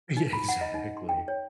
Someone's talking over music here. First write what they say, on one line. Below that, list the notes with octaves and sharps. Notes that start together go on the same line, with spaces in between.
Yeah, exactly.
D#4
B5
F#5
D#5
D#4
C6
G5
C#5